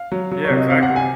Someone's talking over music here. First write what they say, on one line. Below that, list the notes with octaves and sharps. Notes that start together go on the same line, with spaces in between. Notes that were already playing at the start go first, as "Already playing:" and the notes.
Yeah, exactly.
Already playing: F5
F#3
F#3
C#5
C3
D#5
C4 F5
F#5
C3
G#5